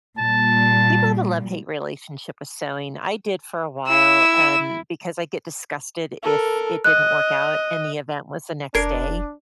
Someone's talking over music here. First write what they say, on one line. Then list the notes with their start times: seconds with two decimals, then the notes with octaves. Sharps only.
people have a love-hate relationship with sewing. I did for a while, um, because I get disgusted if it didn't work out, and the event was the next day.
0.19 A#2 G3 A5
3.89 E4 E6
6.23 A4 A#4
6.84 D#5 F#6
8.75 F1 D4 A#4 G#6 C7 D7